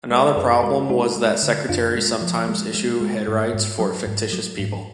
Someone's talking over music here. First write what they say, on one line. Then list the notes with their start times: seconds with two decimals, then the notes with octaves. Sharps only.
Another problem was that secretaries sometimes issued headrights for fictitious people.
0.10 G#3 A#4 D5
0.37 F#2 G#4 B4
0.63 G#3 F#4 A#4
0.90 G#3 D#4 F#4
1.16 G#3
1.43 D3
1.69 F#2 D4 F4
1.95 G#3
2.21 F3
2.48 G#3
2.74 G#3
3.01 G#3
3.28 G#2
3.54 G#2
3.80 F#3
4.07 G#2
4.33 F#3
4.59 G#2